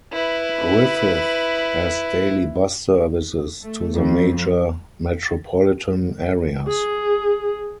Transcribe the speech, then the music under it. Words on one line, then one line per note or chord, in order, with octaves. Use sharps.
Griffith has daily bus services to the major metropolitan areas.
E4 B4
A3
F2
G#4